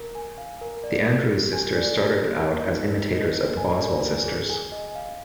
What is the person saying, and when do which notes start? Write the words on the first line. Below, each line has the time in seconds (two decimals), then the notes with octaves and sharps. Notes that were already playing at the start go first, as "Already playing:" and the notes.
The Andrews Sisters started out as imitators of the Boswell Sisters.
Already playing: A#4
0.15 G#5
0.38 F5
0.61 A#4
0.84 D5
1.06 A#4
1.30 G4
1.53 G#5
1.75 D5
1.99 G4
2.21 A#3
2.44 A#4
2.66 D#4
2.89 D#4
3.12 D#5
3.35 A#4
3.57 G#5
3.80 D5
4.03 A#4
4.26 G#4
4.50 G#5
4.72 D#5
4.95 F5